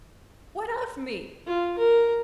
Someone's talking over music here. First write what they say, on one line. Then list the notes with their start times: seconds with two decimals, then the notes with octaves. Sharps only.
What of me?
1.46 F4
1.78 A#4